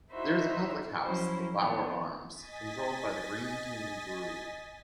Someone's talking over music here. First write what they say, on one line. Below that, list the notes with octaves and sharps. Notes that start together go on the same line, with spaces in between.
There is a public house, the Bowyer Arms, controlled by Greene King Brewery.
D#4 E4 F#4 C5 E5
F3 F#3 C#4 E4 C5
D#3 B3 D4
D#5 G#5 A6 B6